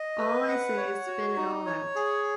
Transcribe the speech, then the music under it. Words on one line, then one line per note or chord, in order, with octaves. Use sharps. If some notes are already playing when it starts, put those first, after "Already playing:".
All I say is spit it all out!
Already playing: D#5
B4
F#5
C#5
F#4
D#4
C#5
G#4